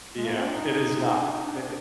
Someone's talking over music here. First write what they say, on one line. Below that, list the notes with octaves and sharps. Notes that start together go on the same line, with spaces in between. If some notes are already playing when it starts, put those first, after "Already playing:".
Yeah, it is not. I It
G#3
A#3
C4
D4
D#4
F4
D#4
D4
D#4
D4